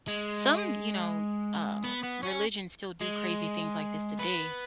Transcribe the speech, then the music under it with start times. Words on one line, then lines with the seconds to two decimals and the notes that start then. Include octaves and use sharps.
some, you know, uh, religions still do crazy things like this today,
0.08 G#3
1.84 B3
2.04 B3
2.23 C#4
3.01 G#3
4.19 B3